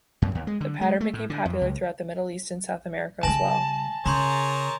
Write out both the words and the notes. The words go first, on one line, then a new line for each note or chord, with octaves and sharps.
The pattern became popular throughout the Middle East and South America as well.
F#2
D#2
G#3
D3
G#3
A3
A2
D3
F2
C#2
C#3 G3 G#5 A5 A#6 F#7
C#3 G#4 A#4 C#5 A#5 C6 G6